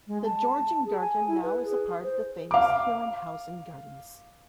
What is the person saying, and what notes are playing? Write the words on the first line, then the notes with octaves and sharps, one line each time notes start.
The Georgengarten now is a part of the famous Herrenhausen Gardens.
G#3
A5
G#4
G#5
E4
B4
G#4
C5
F5 D6